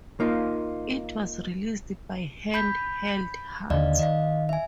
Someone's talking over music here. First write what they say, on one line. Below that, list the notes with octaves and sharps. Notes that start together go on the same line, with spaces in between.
It was released by Hand Held Heart.
A#3 D#4 F4
B5 G6 B6
D#2 D3 D5 D#5 F5
D#3 D#5 F5
E5 G#5